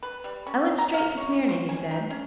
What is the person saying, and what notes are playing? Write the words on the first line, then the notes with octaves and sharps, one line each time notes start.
'I went straight to Smyrna,' he said.
B4
G3
C#4
A#5
F5
C#5
D5
C5
G#5
D#4
C#4